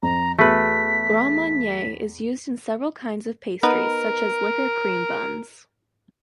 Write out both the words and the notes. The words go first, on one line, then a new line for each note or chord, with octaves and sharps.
Grand Marnier is used in several kinds of pastries, such as liquor cream buns.
F2 A#5
E2 A3 F#4 G#4 B4 B6
B3 D#4 A#4 B4